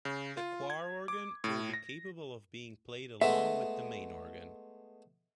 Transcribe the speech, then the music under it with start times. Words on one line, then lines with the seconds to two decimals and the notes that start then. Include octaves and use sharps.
The choir organ will be capable of being played along with the main organ.
0.05 C#3
0.37 F4
0.70 G#6
1.08 D6
1.44 A2
1.74 A#6
3.21 G#3 A3 B3 E5